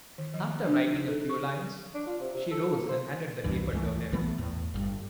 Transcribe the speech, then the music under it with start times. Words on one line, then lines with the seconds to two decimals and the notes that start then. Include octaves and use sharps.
After writing a few lines, she rose and handed the paper to him.
0.18 D#3
0.34 F3
0.66 D4
0.91 D#4
1.08 A4
1.30 C#6
1.94 D4
2.07 F4
2.20 C3
2.34 C3
2.52 A4
2.73 A#3
2.89 C5
3.44 C2 G2 E3
3.73 C#2 E3 A3
4.12 A#1 E3 A3 B3
4.38 E2 A2
4.74 G1 G2